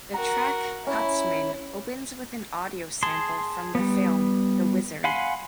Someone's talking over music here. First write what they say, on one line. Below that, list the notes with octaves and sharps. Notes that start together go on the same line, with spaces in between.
The track "Cutsman" opens with an audio sample from the film "The Wizard".
F#4 A#4 A#5
C#4 E4
G#4 A5 C6
G3 B3
F5 F#5 G#5 B5 C6